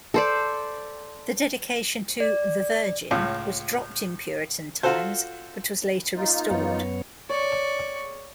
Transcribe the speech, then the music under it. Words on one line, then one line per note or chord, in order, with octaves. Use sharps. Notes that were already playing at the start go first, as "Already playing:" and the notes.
The dedication to "-the-Virgin" was dropped in Puritan times but was later restored.
A4 C5 D5
D5
C#2 A2 F4
F4 F#4 A4 C5
A#3 D#4 F4
F#2 B3 C#5
C#5 D5 C#6